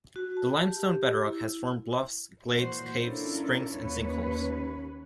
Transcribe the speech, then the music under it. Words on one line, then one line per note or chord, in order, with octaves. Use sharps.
The limestone bedrock has formed bluffs, glades, caves, springs, and sinkholes.
F#4
A5
G4
E4
A#2 E3 F#4 C5
C#4 D4 E4 F4 A4 A#4
D#2 C#4 B4 C#5